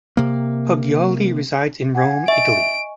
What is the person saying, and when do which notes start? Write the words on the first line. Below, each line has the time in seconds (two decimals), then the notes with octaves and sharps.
Poggioli resides in Rome, Italy.
0.17 C3 A#3
1.95 F#5 G#5 G#6
2.28 D#5 E5 G#5 C#6 D7